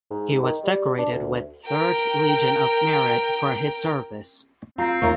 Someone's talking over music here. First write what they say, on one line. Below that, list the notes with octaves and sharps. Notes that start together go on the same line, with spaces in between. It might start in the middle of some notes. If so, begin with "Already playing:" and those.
He was decorated with third Legion of Merit for his service.
G#2
D#3
G3
D4
D2
A#4 G5
C4 F4 F5 A#5
D#2 F4 A#4 E5 F5 C#6